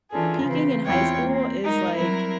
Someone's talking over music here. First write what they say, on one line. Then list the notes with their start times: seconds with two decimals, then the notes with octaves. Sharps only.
peaking in high school is, like
0.11 E3 C#4 D4 F4 G#4 A4
0.41 C#3 E3 C4 B4
0.85 E2 C4 E4 F4 C#5 G5
1.23 A#3 C4
1.62 G3 G#3 D#4 A#4
1.96 F#3 G3 C4 E4 A#4